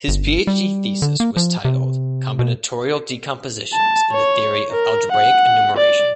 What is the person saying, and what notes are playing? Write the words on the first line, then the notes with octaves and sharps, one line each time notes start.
His PhD thesis was titled "Combinatorial Decompositions in the Theory of Algebraic Enumeration".
G1
G3
D3
A#3
F3
C3
B2
A5
C#5
A#4
F#5
D5